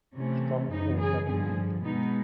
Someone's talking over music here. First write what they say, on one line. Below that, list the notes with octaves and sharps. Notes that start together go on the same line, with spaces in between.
Strong or W. B.
C3 E3 A3 C#4
F#2 C#3 E3 D#4
G#4
G2 D3 F3 G#4
B2 G#3 B3 D#4